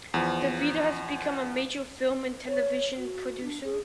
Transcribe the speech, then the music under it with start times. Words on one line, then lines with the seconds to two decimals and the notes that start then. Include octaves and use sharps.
DeVito has become a major film and television producer.
0.14 E2 F3
2.48 C#5
2.97 F#4
3.44 D4
3.64 G#4